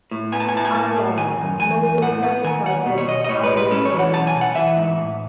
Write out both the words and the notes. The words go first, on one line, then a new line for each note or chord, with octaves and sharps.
I am more than satisfied with how we played.
A2
B3 G#5
A5
G#5
A2 A5
G#5
A2 A5
A2
D#3 G#5
F#2
E2 G#5
E2
A2 F#5
B3
D#3 G#5
D#2 F#5
B2
C#5
B2 D#5
D#5
A2 C#5
B4
G#3
B4
C#4 A4
C#5
E3
F#5
B1 A5
G#5
B2
F#5
E3 E5
G#2
A2